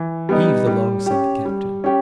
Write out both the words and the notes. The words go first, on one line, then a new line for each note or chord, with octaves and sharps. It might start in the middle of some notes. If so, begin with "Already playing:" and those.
"Heave the log," said the captain.
Already playing: E3
G3 B3 D#4
G3
C#4 G4
G3
C#4 G4